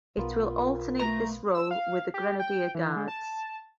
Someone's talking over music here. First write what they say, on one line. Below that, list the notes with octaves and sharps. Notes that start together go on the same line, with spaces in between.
It will alternate this role with the Grenadier Guards.
B1 B3 F4 A#4
A3 A#5
E6
F5
G4
G5
E3
G#3
A5